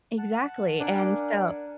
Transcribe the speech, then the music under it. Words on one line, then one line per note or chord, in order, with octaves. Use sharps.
Exactly. And so
F#5 A5 F#6
D4 A#4 F#5 G#5